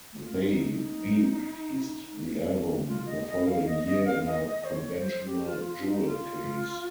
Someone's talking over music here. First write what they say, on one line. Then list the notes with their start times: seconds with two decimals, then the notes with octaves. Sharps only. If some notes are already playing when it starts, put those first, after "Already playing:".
They re-released the album the following year in a conventional jewel case.
0.20 F4
0.46 D#4
2.86 F4
3.06 D#5
3.26 D#5
3.45 F5
3.65 D#5
3.85 D#5
4.05 F5
4.26 D#5
4.46 D#5
4.64 C5
4.72 C#5
4.98 C5
5.26 G4
5.45 F4
5.66 F4
5.86 D#4
6.05 F4